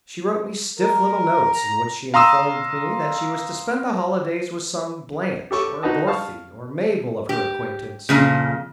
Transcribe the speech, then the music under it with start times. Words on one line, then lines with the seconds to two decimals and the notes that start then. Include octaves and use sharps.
She wrote me stiff little notes in which she informed me that she was to spend the holidays with some Blanche or Dorothy or Mabel of her acquaintance.
0.79 A#4
1.53 A#5
2.14 F5 A#5 C6 D#6 E6
5.51 G4 A4 C#6
5.83 D#4 F#4 B4 D#5 A5
6.07 F5 A5 C#6
7.29 G4
8.09 F2 A#2 C#3